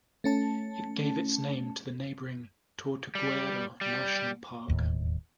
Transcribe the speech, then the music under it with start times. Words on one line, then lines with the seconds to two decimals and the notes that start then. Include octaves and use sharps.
It gave its name to the neighboring Tortuguero National Park.
0.24 A3 C#4 A5
3.15 G3
3.81 G3
4.68 E1 D#2 A2